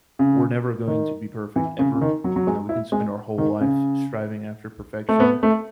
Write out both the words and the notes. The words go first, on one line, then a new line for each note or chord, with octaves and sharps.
we're never going to be perfect ever. You know, we can spend our whole life striving after perfection.
C#3
D#3
E3
C#3
C#3
D#3
F#3
F#3
G#3
E4
G#3
D#3
C#3
A3
B3
A3